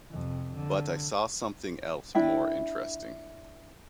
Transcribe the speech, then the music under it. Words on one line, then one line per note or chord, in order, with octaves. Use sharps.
But I saw something else more interesting.
F2 C3
D3
D4 E4 E5 G5